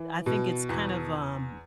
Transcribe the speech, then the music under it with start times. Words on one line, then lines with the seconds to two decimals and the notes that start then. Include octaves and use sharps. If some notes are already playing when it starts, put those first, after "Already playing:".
I think it's kind of, um d
Already playing: E3
0.26 B2
0.69 E2